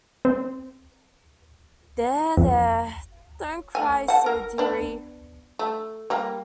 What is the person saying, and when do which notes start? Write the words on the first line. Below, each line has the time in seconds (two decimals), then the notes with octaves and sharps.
There — there — don’t cry so, dearie.
0.25 C4
2.37 F2
3.75 A3 G#5
4.08 F#5 A5
4.26 A#4
4.58 B3 D4
5.59 A3
6.10 G3 A#3